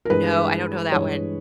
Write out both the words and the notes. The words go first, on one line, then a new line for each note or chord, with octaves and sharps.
No, I don't know that one.
A#4
G2 E3 G#3 B4
G2 E3 G#3 C#5